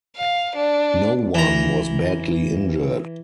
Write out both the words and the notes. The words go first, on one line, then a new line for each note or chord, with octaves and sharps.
No one was badly injured.
F5
D4
E3 A#5